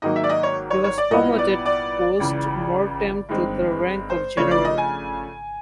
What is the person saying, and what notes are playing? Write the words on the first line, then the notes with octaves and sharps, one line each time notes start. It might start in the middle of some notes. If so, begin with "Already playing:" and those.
He was promoted post mortem to the rank of general.
G#2 D#3 F#3 A#3 D#5
E5
D5
D#5
C#5
C#5
C#5
D5
A#2 G3 B3 E4 D#5
D5
D5
C#2 C#3 E3
G2 D#3 G#3 C4
C5
C#3 F3 A3 D4 F4 C#5
D5
D#5
G#5